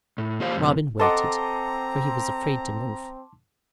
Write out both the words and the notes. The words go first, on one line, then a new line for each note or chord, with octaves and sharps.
Robin waited, for he was afraid to move.
A2
A#3 F4 G4 C5 F5
F#2 C3
C4 A4 D#5 F#5 A5 A#5 C6 D6